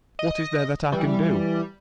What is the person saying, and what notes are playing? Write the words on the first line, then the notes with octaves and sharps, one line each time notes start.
What is there that I can do?
D#5
E3 G3